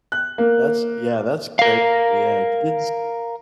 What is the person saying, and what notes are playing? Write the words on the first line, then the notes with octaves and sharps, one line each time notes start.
That's yeah, that's crazy, yeah. Kids
F#6
A#3
A#4 F5